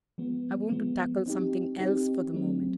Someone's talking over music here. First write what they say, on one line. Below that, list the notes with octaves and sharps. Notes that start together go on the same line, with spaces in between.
I want to tackle something else for the moment.
F3 G#3 B3
F3 G#3 B3
C4 D#4 G4
C4 D#4 G4
F#3 A3 C4